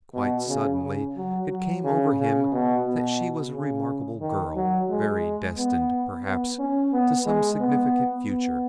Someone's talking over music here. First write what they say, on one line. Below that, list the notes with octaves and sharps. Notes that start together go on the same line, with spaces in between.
Quite suddenly it came over him that she was a remarkable girl--very--destined, perhaps, to some significant future.
B2
C#3
C#3
F#3
F#3
C#3
C#3
B2
B2
C#3
D#3
F#3
G#3
B3
B3
C#4
B3
G#3
B3
B3